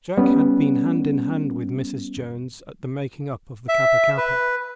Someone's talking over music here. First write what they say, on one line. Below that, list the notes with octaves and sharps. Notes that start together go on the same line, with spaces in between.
Jack had been hand in hand with Mrs. Jones at the making up of the Kappa-kappa.
G3 B3 C#4
E5
B4